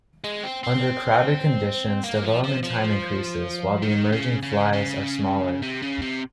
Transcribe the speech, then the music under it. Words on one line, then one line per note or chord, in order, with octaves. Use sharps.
Under crowded conditions, development time increases, while the emerging flies are smaller.
G#3
C4
C4
A#3
F3
F3
F3
D#3
C#3
C#3
C#3
C3
C#3
C3